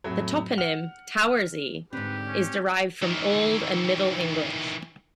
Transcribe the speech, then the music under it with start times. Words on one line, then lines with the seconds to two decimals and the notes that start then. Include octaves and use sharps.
The toponym "Towersey" is derived from Old and Middle English.
0.04 F2 A2 F#3
0.58 F#5 F6 F7
1.26 F6
1.93 G#2 D3 C4 G4 B4
2.28 C#4
3.02 D#3 E3